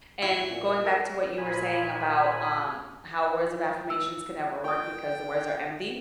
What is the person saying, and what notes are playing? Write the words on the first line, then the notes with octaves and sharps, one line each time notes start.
and going back to what you were saying about, um, how "Words of affirmations can never work because the words are empty,"
E4
A#2
A4 A#4
A#2 G#5 B5
E6
G5 C#6 D#6